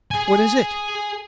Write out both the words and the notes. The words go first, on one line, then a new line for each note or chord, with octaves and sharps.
"What is it?"
G#4 G#5